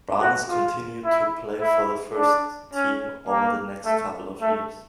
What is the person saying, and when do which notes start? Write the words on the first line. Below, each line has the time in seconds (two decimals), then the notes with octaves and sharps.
Barness continued to play for the first team over the next couple of years.
0.20 F#4
0.49 F4
1.04 E4
1.61 E4
2.17 D4
2.73 C#4
3.29 A#3
3.85 A3
4.41 A3